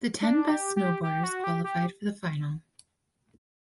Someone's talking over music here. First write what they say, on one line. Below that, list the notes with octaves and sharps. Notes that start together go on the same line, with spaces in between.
The ten best snowboarders qualified for the final.
D4
G4
G4
G4
F#4
G4
G4